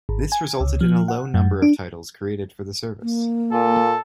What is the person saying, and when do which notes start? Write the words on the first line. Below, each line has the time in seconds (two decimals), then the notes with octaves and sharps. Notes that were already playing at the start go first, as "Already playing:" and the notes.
This resulted in a low number of titles created for the service.
0.09 G#1
0.32 G#5
0.60 C#2
0.81 F3
1.08 F#5
1.34 F#2
1.62 D4
3.02 A#3
3.52 A#2 A4